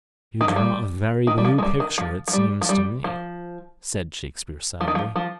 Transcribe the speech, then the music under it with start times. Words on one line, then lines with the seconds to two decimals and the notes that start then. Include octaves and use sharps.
"You draw a very blue picture, it seems to me," said Shakespeare, sadly.
0.41 D#3
0.48 F3
0.56 G3
1.27 D#3
1.38 G3
1.45 F3
1.58 G#3
1.63 G3
1.80 D#3
1.98 F3
2.28 F3
2.33 G3
2.61 F3
2.69 G3
3.04 F3
4.81 F3
4.88 D#3
4.95 F3
5.16 F3